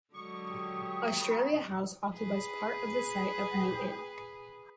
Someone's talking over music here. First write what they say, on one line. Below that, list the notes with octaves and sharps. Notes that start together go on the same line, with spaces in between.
Australia House occupies part of the site of New Inn.
D3 F#3 G#3 C#6 D#6
G4
G#4 B4